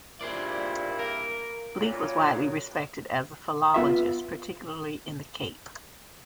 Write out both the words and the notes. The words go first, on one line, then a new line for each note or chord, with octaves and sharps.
Bleek was widely respected as a philologist, particularly in the Cape.
G2 A#2 E4 G#4 C5 D5
A#3 A#4
A#2 C#3 F#3
B3 F4 E5